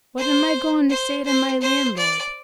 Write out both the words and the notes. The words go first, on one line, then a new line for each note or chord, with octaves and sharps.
What am I goin' to say to my landlord?
C5
C5
C5
C5
D5